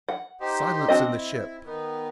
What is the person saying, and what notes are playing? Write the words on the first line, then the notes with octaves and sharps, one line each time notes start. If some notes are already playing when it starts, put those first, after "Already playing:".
"Silence in the ship!"
F#5
D#4 G4 C5
C4 D4 F#4 D#5
E4
D#3 B3